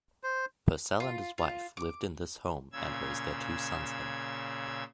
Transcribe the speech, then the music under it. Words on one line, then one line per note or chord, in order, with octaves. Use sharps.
Purcell and his wife lived in this home and raised their two sons there.
C5
F4
F4
D6
A#2 C#3 E6 G#6